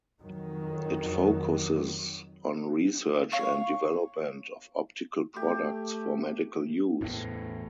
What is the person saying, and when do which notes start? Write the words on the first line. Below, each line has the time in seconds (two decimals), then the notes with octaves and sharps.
It focuses on research and development of optical products for medical use.
0.21 F2 D#3 F#3
3.32 C#5 F5 C#6
5.36 A3 G4
7.01 A1 E2 A2